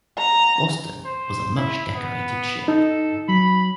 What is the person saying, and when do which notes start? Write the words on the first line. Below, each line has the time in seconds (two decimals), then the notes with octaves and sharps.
"Boston" was a much-decorated ship.
0.18 A#5
1.05 C5
1.57 E4
1.95 B3
2.68 D#4 A4
3.29 F#3 B5